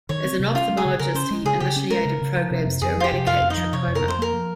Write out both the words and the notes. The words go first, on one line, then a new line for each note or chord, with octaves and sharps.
As an ophthalmologist, he initiated programs to eradicate trachoma.
D#3 C#5
C4
C3
C#4 F4
G#3
G#4
C#3
C#3 A#4
C#4 C5
G#3
C#3 G#4
C#3 G4
C#4
G#3 A#4
C#3
C#3
F3
C3
F2
F2 G#4
F3 F4
G4
C3
F2 F4 F5
F2
D#4 D#5
F3
C3 C#5
F2
A#4
F2 C5
A#3 A#4
F3